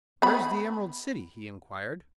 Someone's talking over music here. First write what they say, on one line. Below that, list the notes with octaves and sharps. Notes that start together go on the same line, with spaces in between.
"Where is the Emerald City?" he inquired.
B3 B5